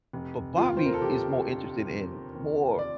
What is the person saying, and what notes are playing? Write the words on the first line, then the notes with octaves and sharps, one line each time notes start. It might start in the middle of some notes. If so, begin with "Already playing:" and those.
but Bobby is more interested in more
F1
D#2 F4
C5
A#4
A4
F1 G4
D3
F1
D#2
D5